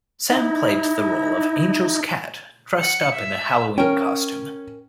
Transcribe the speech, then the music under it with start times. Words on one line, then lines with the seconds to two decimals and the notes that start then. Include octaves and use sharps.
Sam played the role of Angel's cat, dressed up in a Halloween costume.
0.30 D#4 E4
2.78 F#5 C#7
3.13 E5
3.78 C#4 A#4 G5